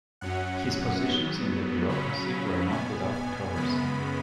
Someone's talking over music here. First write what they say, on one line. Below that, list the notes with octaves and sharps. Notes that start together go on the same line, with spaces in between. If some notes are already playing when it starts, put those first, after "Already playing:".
His positions in the bureaucracy were not without controversy.
F#2 F#3 C#4 F#5
G#2 F#3 B3
C#3 F#3 C#4 B5
B2 B3 G#5
G#5
F#2 C#3 G#3 B3 B5